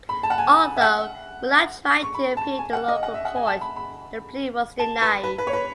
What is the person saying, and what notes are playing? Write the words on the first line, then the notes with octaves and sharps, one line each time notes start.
Although Muhlach tried to appeal to the local court, the plea was denied.
B5
A5
F#5
G#5
E5
F#5
C#6
B5
A5
G#5
F#5
D#5
F#5
E5
F#5
G#5
A5
B5
B5
A5
B4
B4
B4
C#5
B4